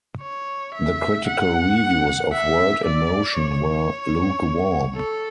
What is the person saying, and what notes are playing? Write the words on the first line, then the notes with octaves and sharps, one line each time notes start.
The critical reviews of "World in Motion" were lukewarm.
C#5
E5
F#5
E5
D5
C#5
A4